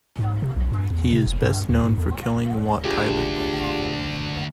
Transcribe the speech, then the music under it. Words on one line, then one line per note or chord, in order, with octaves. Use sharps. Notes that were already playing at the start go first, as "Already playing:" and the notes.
He is best known for killing Wat Tyler.
G#2
C3
B1
G2
E2
C3
F1
G2
D#2
G#2
E2
D2 D4 F4 G4 G#4